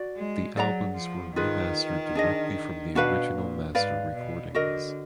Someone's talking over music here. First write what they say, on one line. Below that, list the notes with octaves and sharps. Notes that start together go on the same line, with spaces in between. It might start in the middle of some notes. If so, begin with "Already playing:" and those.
The albums were remastered directly from the original master recordings.
Already playing: F#4 D5
G#3
F#3 G#4 D5 F#5 A#5
F3
D#3 F4 G#4 B4
D4 G#4 D#5
B2 D4 F#4 B4 F5
A#2
G#2 B4 D5 F5
B2
D3 F#4 A#4 D#5